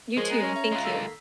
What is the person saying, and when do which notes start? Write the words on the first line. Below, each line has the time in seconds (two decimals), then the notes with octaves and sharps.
You too. Thank you.
0.17 F3 G#3 G#4 A#4 C#5 A#6
0.30 B3 A#5
0.43 C#4
0.56 E5
0.72 G#3 F4 E5 F#6
0.85 D#3 A#3 A4 E6 B6